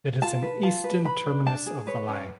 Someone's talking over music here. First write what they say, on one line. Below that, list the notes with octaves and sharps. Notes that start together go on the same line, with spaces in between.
It is an eastern terminus of the line.
F4 A5
B4
F4 A5
B4
B4 B5
D4
D4 A5
G#4
B4 C#5
C#4